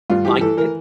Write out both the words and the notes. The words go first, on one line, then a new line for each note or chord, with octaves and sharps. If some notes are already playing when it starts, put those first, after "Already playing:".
Like it?
G2 F4
E3 G4
E3 A4
E3 A#4